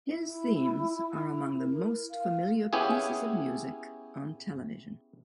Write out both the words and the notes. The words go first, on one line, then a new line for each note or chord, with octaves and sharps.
His themes are among "the most familiar pieces of music on television".
E4
A#4
F5
B3 C#4 E4 G4 G#4